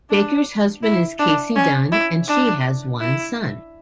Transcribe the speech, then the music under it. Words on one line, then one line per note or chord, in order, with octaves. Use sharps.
Baker's husband is Casey Dunn and she has one son.
D4
E4
D4
C#4
E4
D4
E4